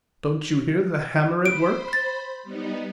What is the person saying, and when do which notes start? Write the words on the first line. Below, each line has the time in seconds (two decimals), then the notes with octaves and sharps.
Don't you hear the hammer at work?
1.45 C5 B5 D7
1.93 A6
2.43 G3 B3 D#4